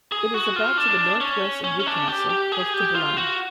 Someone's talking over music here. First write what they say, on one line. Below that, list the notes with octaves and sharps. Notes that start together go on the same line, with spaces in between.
It is about to the north-west of Newcastle, close to Bolam.
G#4
F#4
F4
D4
C#4
C#4
C#4
D4
G4
G4
G#4
G4
F4
F#4